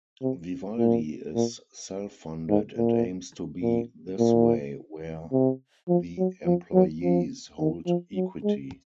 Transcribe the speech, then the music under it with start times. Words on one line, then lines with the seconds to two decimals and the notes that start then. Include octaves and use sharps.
Vivaldi is self-funded and aims to be this way where the employees hold equity.
0.22 C3
0.79 A#2
1.35 A#2
2.49 G#2
2.77 A#2
3.62 A#2
4.19 A#2
5.32 C3
5.89 F3
6.18 F#3
6.46 F3
6.73 F#3
7.03 F3
7.59 D#3
7.87 F3
8.15 F#3
8.44 G#3